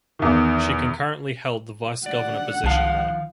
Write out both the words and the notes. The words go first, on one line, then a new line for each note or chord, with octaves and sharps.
She concurrently held the vice governor position there.
E2 D#3
D5 F#5
C2 D#3 F3 F5 A5